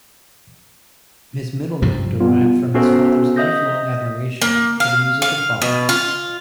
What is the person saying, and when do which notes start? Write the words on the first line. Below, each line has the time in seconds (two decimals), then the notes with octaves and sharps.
His middle name derived from his father's lifelong admiration for the music of Bach.
1.82 G2 C3 F3
2.20 G3 B3 F4
2.74 B3 C#4 F#4 A4 C5 E5
3.36 D#5 E5 D#6 G6 A#6
4.42 A#3
4.80 F5
5.22 F5
5.62 B2
5.89 F4